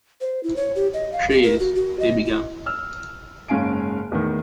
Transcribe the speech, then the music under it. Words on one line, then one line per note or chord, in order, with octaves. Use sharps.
"She is -" he began.
C5
E4
C#5
G4
D#5
F5
G4
A#4
F#4
F#4
D#5
E4
E6 F6
F#1 G#2 C#4 F5 G#5 D7
E2 A2 D#3